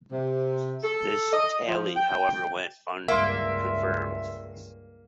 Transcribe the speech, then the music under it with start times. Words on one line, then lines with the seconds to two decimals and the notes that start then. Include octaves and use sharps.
This tally, however, went unconfirmed.
0.11 C3
0.83 A4
1.33 D#5
1.67 F3
1.96 G5
3.08 C#2 G2 A#3 E5 C6